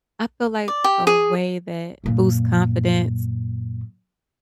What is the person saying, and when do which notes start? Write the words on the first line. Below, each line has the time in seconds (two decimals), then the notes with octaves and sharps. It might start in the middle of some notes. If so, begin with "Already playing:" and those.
I feel like a way that boosts confidence
0.68 D5
0.84 G4
1.07 G#4
2.04 F#2 A#2